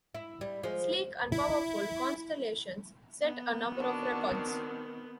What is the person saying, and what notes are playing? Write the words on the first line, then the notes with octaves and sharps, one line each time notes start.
Sleek and powerful, Constellations set a number of records.
E4
G3
F3 G#3
E4
B3
D#3 C4 D4 F#4